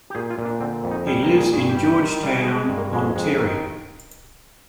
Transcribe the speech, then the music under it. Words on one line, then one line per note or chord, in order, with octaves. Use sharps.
He lives in Georgetown, Ontario.
G4
A#2 G#4
F4
A#2
D4
D3 C4
F2
D#4
G3 G#4
A#4
A#2
G#4
G2 G#4
G4
G3
G4
D#3
G3
G#4
G#3 G4
G2
A#3
F2 G#3
F2 G#3
D#3